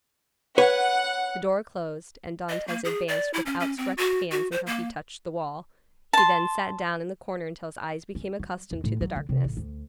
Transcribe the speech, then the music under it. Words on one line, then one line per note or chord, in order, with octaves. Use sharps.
The door closed, and Dantes advanced with outstretched hands until he touched the wall; he then sat down in the corner until his eyes became accustomed to the darkness.
B4 C#5 F#5
D#5
A#3
G#4
D5
E4
C#4
C#4
C4
F#4
F#4
C5
A#3
A5 C6
C#4
F#3
E2
A2
F#3
D3
C3
A1
D2